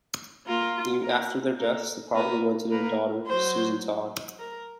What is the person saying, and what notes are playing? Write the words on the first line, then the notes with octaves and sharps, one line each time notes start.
After their deaths, the property went to their daughter, Susan Todd.
A#3 F4 A#4
A#3 A#4
A#3 A4 A#4
B3 A#4 B4
A#3 A#4 B4
F#3 F#4 C5
A#4